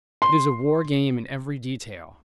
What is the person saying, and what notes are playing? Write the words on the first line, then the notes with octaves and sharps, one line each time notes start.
It is a war game in every detail.
C6